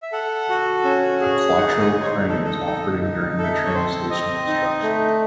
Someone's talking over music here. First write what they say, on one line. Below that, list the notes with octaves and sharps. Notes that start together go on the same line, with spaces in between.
A Quattro crane is operating during the train station construction.
E5
A4 F#5
F#4
C#4
G#4
D#4 F#5
G#5
D#4
C#5
C5
D#4 A4
A4
D#4
D#4
A4
E5
D#5
C#5
C4 C5
C4 D#5
D#4
A3